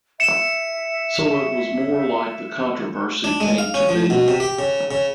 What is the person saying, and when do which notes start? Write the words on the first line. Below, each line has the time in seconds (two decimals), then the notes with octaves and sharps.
So it was more like the controversy came to me.
0.20 E5 C#7 E7
3.24 D4
3.41 G#3
3.58 F5
3.74 C#4
3.89 F3
4.10 B2
4.28 C3
4.40 G4
4.59 C#3
4.91 C#3